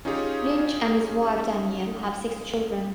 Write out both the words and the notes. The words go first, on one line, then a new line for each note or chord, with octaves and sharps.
Lynch and his wife Danielle have six children.
C#4 D#4 F4 G4 G#4 C#5